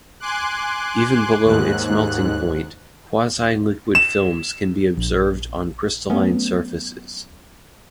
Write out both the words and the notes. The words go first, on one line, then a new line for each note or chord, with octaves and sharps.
Even below its melting point, quasi-liquid films can be observed on crystalline surfaces.
G#5 C6 D6 F#6
D#2 G#2 F#6
E7
A#1
F#3 A3 B3 C#4